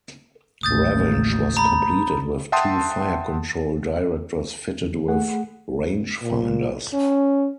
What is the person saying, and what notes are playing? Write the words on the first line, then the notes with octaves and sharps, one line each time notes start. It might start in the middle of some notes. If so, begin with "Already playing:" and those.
"Revenge" was completed with two fire-control directors fitted with rangefinders.
A1 D#2 D#6 G6 A6
A#5 B5
E5 F#5 G5 A5 C6 D#6
E2
A3 G#4 F#5
A#2
C#4